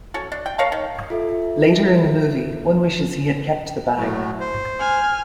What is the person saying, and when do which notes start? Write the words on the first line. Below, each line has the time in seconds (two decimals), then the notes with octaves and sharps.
Later in the movie, one wishes he had kept the bag.
0.14 C#4 F#4 A4
0.32 D4
0.46 G5
0.58 A#4 C#5 F5 A5
0.72 D#3
1.10 F4 A4 E5
3.97 A2 F#3 A3
4.40 C5
4.79 G#5 F6